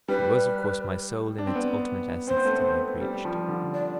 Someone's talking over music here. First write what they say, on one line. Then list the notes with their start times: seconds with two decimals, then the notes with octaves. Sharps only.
It was of course my soul in its ultimate essence that I had reached.
0.08 G3 B4
1.38 D4
1.47 C4
1.55 B3
2.28 C4 C5
2.37 B3
2.45 A3
2.55 B3
3.01 G3
3.25 F3
3.48 D3
3.74 D5